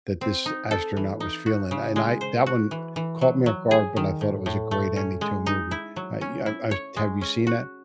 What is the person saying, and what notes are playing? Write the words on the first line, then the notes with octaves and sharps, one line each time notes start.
that this astronaut was feeling. I and I that one caught me off guard, but I thought it was a great ending to a movie, uh yeah, I was to have you seen that?
C4
D#4
A4
E3
D#4
F#4
C#3
G#3
C5
F#4
E3
E3
F#3
F#3
G#4
D#3
A2
A2
A3
C#4
G#3
D#4
E4
F#3
C#4
E4
C#5
G#3
C#4
F#4